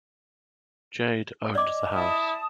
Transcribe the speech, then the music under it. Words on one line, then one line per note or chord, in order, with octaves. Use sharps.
Jade owned the house.
D5 D#5 D6
E4 A5 D#6